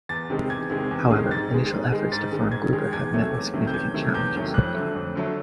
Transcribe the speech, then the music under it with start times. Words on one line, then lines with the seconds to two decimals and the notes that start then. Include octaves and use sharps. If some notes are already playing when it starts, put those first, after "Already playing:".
However, initial efforts to farm grouper have met with significant challenges.
0.09 E2 A6
0.30 C3 D#3 G#3
0.50 E2 G#6
0.70 C3 D#3 G#3
0.91 E2
1.11 C3 D#3 G#3
1.31 G#2 A6
1.51 D#3 G#3
1.71 G#2
1.92 D#3 G#3
2.12 G#2 A6
2.32 D#3 G#3
2.52 G#2 G#6
2.73 D#3 G#3
2.93 E2 G#6
3.13 C3 D#3 F#3 A3
3.33 E2
3.53 C3 D#3 F#3 A3
3.67 G6
3.74 E2 G#6
3.94 C3 D#3 F#3 A3
4.14 E2 G6
4.34 C3 D#3 F#3 A3
4.54 F2 F#6
4.74 D3 F#3 A3
4.95 F2
5.15 D3 F#3 A3